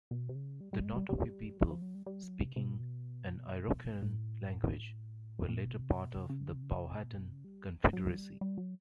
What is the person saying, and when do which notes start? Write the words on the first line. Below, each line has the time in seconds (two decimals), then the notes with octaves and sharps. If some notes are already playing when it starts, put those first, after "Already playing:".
The Nottoway people, speaking an Iroquoian language, were later part of the Powhatan Confederacy.
0.11 B2
0.29 C3
0.35 C#3
0.61 G3
0.73 G3
0.85 G#3
0.96 G3
1.09 G3
1.58 F#3
1.71 F3
1.82 F#3
1.95 G3
2.06 G3
2.23 F#3
2.39 C3
2.56 C3
2.64 B2
2.73 A#2
2.81 B2
4.02 A2
5.49 A#2
5.65 B2
5.81 C3
5.98 B2
6.14 C3
6.30 C#3
6.46 D3
6.55 C3
6.63 C#3
6.79 C3
6.95 B2
7.08 A#2
7.19 B2
7.32 C#3
7.45 G3
7.93 F#3
8.17 G3
8.41 G3
8.58 F#3